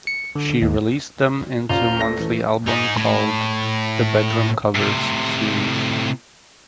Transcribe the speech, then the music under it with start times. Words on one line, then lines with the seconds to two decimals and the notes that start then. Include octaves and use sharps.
She released them into monthly albums called the ""Bedroom Covers"" series.
0.07 C#7
0.36 D3
0.62 D#2
1.69 D#1 C#4 F4 D5 A#5 F6 G6
1.99 A3 A#6
2.20 E3
2.68 D#4 G#4
2.97 A2
4.76 A2 C3